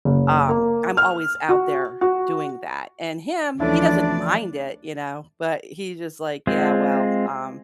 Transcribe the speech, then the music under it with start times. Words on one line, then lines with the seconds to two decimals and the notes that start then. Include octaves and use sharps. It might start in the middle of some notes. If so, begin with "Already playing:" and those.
um, I'm always out there doing that, and him, he doesn't mind it, you know? But he's just like, "Yeah. Well, um"
0.05 F#1
0.49 A#3
0.97 F6
1.49 F#4
2.01 F#4
3.60 D2 E3 F3 A3 C#4 D4 E4 D5
6.47 G#3 C4 F4